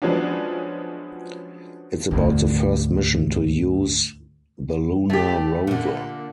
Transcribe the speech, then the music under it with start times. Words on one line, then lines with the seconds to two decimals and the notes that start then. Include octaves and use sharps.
It’s about the first mission to use the lunar rover.
0.02 F3 F#3 G#3 B3 C#4 D4
2.11 D2 G#2
5.10 A3 G4
5.67 A#2 D3